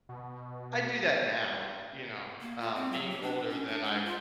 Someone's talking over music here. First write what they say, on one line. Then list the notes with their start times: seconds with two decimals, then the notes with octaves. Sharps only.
I do that now, you know, um, being older than I
0.09 B2
2.41 A#3
2.60 F4
2.75 C4
2.92 F#3
3.10 G4
3.22 D4
3.50 C#4
3.67 D4
3.84 G#3
4.05 F4